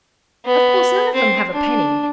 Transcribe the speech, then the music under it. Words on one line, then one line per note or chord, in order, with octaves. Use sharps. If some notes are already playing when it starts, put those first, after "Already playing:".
Of course none of them have a penny.
B3
C4
D4